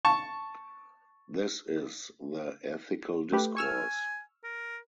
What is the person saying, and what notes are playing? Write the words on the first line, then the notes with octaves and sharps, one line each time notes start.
This is the ethical discourse.
A5 C#6
A3 G4 B4
G#5 C#6 E6 F6
A#4